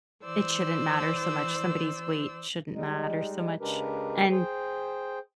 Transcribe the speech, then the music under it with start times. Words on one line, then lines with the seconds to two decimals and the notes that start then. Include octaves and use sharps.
it shouldn't matter so much, somebody's weight shouldn't matter so much. And
0.24 E3 C5 D5 E6
2.74 G3 G#3 D#4
3.61 C#3 G#3 D4 G4 A#4 B4
4.31 G#4 C5 G5